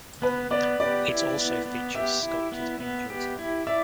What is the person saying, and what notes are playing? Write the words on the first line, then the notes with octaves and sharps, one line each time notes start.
It also features sculpted angels on the roof.
B3 B4
B3 D5
G4 D5
E4
B3
B3
G4 E5
E4
B3
B3
G4
E4
D5 E5